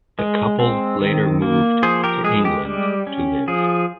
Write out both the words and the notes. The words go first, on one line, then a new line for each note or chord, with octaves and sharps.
The couple later moved to England to live.
G#3
C4
D#3
A#3
F3 G#4 C5
G4 A#4
G#3 G#4
G4
G3
C#4
F3 G#4